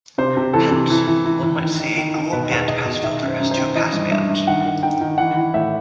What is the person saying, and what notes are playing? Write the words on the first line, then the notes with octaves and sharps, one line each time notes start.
Hence, one might say A dual bandpass filter has two passbands.
C3 C5
C3
E3 A4
C3
E3
E3
E3
E3
D#3
D#3
D#3
D#3
B2 B4
E2
E2 D#5
B2
D#3 E5
F#2
C5
F#2
C5
D#3
E3 D#5
G2
G2 E5
G2
D#3 F#5
D#3
D#3 G5
D#3
E3 F#5
E3
A2 E5